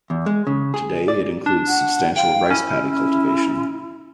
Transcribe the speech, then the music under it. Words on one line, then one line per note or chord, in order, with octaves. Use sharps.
Today, it includes substantial rice paddy cultivation.
E2
G#3
C#3
G#4
D5
D4
F#5
F5 G5
C#4 E4